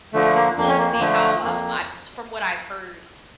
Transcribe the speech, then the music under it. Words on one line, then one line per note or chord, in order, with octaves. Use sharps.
It's cool to see how, um, I from what I've heard,
D3 F3 A3
A#3
F2 A#3
C#4
A#3
A#3
D3 F3 A3
F2 A#3